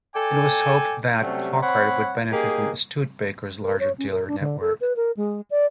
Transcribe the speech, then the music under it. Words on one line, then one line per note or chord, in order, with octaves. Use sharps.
It was hoped that Packard would benefit from Studebaker's larger dealer network.
A4 D5 G5 G#5
C3 F#3 G3 A3 C#4
C4 C#5 F#5 B5
A#3 D#4 G4 G#4
A#4
C#5
C#4
A#4
D4
D3
A4
B4
A#4
G#3
D5